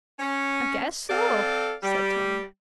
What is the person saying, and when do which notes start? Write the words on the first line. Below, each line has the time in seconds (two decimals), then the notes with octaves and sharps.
"I guess so," said Tom.
0.19 C#4
1.09 C4 A4 D5 F5
1.83 G3